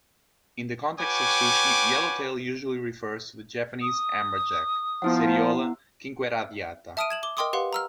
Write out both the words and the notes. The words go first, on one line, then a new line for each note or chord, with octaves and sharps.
In the context of sushi, yellowtail usually refers to the Japanese amberjack, "Seriola quinqueradiata".
F#4 B4 C#5 G5 G#5 D6
D#6
F3 B3 E4 F#5
E5 A5 D#6 F6 D7 D#7
G#6 E7 F#7
D6 G7
A#4 D#5 G5 C6 D6 D#6
G4 B4 F5 F#5 C6
A#5 E6 F6